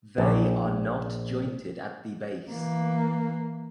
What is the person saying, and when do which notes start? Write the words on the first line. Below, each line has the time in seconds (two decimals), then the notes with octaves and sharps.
They are not jointed at the base.
0.18 A#1
2.51 E3 A#3